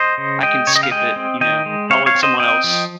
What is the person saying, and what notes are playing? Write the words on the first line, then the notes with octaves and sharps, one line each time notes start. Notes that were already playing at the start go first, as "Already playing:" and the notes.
I can skip it," you know? "I'll let someone else
Already playing: C5 D#5
C#3
G#3 D#5 G5
C#3 C#5
D#5
F5
G#3 D#5 G5
C4
D#3 D#5 G5
G#3
C4 C#5 F5
C#5 F5
C4
C5 D#5
C4 D#5 G5
F3